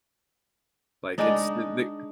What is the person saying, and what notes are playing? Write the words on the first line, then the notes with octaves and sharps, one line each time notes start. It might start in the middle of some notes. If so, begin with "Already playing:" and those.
like, it's the the
G#3 D4 D#4